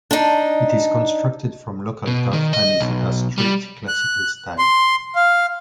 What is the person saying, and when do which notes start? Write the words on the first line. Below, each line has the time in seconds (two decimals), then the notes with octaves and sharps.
It is constructed from local tuff and is a stripped classical style.
0.11 D4 D#4
2.08 B2
2.33 D#3
2.53 D#5
2.81 B1
3.38 G3
3.88 F#6
4.59 C6
5.15 F5